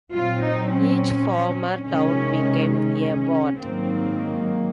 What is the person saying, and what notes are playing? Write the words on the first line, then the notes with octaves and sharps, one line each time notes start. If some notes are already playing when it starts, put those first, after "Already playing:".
Each former town became a ward.
A#2 F#3 C4 F4
D#4
C#4
C3 D#3 G#3 C#4
C#4
G#2 D#3 F#3 A#3 C4